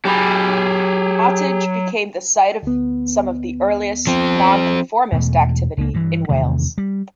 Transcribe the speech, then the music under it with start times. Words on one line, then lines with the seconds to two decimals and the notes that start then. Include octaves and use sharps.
Nottage became the site of some of the earliest Nonconformist activity in Wales.
0.05 F#3 G4 G#4 B5
2.63 D2 B3
4.07 F3 C4
5.12 E2 B2 A3
5.77 C#2 A#3
5.94 G2 E3
6.29 E2 C3 D#3 A3
6.78 G3